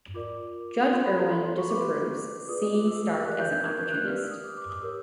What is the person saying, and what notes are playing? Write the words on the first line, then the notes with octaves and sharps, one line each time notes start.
Judge Irwin disapproves, seeing Stark as an opportunist.
F4 A#4 D5 D6
F4 A4 C5 C6
B5
A#5
C6
B5
C6
C#6
E4 G4 B4 D6
F4 G#4 B4 D5 D#6
D#6
D6
E6
E6
G4 A#4 D5 F#6
G6
G#6
G#6
G6
F#6
G4 B4 D5 F6
E6
D#6
D6
D6
D#6
G4 A#4 C#5 E6